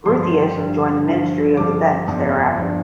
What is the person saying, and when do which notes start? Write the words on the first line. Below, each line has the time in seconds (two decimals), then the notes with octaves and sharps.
Groothuis joined the Ministry of Defence thereafter.
0.06 G2 D3 F3 C6
0.23 C6
0.40 G5
0.56 G2 D3 F3
1.06 G2 D3 F3
1.57 G2 D3 F3 D6
2.08 G1 F2 F3 D4
2.58 G1 F3 D4